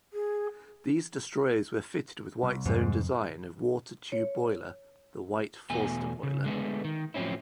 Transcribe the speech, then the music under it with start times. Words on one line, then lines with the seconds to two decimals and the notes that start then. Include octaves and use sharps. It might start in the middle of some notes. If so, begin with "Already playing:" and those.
These destroyers were fitted with White's own design of water-tube boiler, the White-Forster boiler.
0.13 G#4
2.43 C2
2.66 F2 G#2
4.12 C#5
5.70 E2 B2 A3 G#5
6.23 C#3
6.44 D3 G#3 A3 B3
6.84 D#3
7.14 A2 F3 F#3 C4 C#4 E4